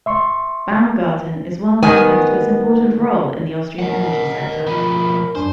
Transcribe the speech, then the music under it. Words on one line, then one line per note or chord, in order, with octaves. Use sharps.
Baumgarten is well known thanks to its important role in the Austrian energy sector.
E5 C6 C#6
D#3 B3 G#5
A#4 D#5 F#5
B2 F3 B5
F#2 D4 C5 G#5